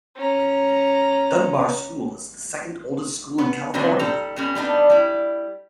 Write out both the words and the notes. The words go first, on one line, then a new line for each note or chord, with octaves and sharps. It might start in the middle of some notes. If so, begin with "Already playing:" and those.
Dunbar school is the second oldest school in California.
C#4 A#5
B3
B2 D3 D#3 F#3 B3 C4
G3 D#4 A4 A#5
B2 G3 C#4
G3 B3 D4 D#4
G3 E4